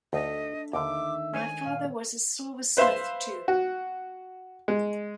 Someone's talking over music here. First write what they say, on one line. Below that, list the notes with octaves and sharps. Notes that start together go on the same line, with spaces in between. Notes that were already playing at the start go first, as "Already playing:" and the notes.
My father was a silversmith, too.
D2 A3 D4 D#5 B6
D#2 D3 D#3 E5 D6
G#3 C#4 C5 C#5 G#5
A#2 F5
B4 C5 E5 F5 C6
F#4
G#3